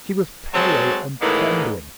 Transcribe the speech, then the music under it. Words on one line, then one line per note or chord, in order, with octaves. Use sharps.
She was pale and trembling.
F#3 G#3 C4 F#4 A4 A5
A2 D#3 E3 G#3 A#3 B3